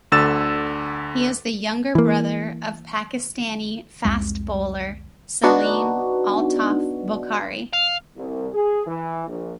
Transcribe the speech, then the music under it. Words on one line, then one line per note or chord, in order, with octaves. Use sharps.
He is the younger brother of Pakistani fast bowler Saleem Altaf Bokhari.
D2 D3 E6 A6 E7
E3 A#3
C2 F2 G#3
B3 D4 D#4 F#4
F5
C2
G#4
E3
A#1